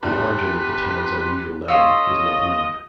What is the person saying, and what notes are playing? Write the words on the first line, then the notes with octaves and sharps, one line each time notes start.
The origin of the town's unusual name is not known.
E2 G3 D4 B4 C6
C#4 F4 A4 C#5 D#5 E6